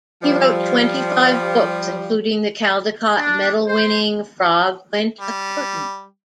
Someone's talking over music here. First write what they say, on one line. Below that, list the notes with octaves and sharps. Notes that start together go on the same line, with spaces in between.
He wrote twenty-five books, including the Caldecott Medal-winning "Frog Went A-Courtin'".
F3 G3
D4
C5
G3